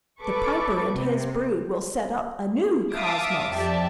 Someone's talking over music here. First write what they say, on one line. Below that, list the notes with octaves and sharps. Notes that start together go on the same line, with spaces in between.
The Piper and his brood will set up a new cosmos.
A4 B4 C#6 D6
C3
E5 F5 A5 D6 D#6
F2 G4 D5 E5 A5